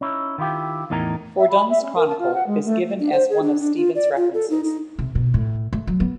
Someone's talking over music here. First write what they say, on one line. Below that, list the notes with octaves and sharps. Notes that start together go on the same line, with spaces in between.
Fordun's "Chronicle" is given as one of Stephens' references.
C#4 D#4 E4
D#3 E4 F4 G4
E2 A2 D#4 A#4 G#5 A#5
E5
B5
E5
C#4
A#4
A5
F4
F#5
G#3
A3
D4
C5
G#4
D4
D4
F4
D5
F4
A4
D#4
D#4
C3
B2
A2
A3
F#3
B3